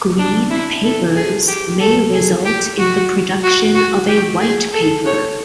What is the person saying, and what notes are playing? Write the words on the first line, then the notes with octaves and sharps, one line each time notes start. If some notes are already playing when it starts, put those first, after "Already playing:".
Green papers may result in the production of a white paper.
D4
E4
A4
G#4
G4
A4
G#4
G4
F#4
F#4
F#4
G4
G#4
A4
C#5